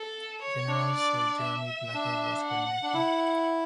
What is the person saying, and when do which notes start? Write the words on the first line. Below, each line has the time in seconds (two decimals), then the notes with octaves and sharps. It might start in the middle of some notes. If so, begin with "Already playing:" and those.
General Sir Jeremy Blacker was her nephew.
Already playing: A4
0.42 C#5
0.68 D4
0.93 D5
1.43 E5
1.94 D4
2.43 F#5
2.83 D4
2.94 E4